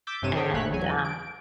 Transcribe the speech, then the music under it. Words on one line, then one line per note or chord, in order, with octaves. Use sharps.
and, um
D6 E6 G6 A6 B6
A1 G2 C3 C#5 D#7 E7
G#4 A4 C5 C#5 G5
G1 A#2 A3 C#5 F#6 B6
E2 F#3 G#5
D7